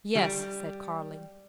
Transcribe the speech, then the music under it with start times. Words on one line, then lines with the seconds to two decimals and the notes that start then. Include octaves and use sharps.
"Yes," said Carling.
0.15 G3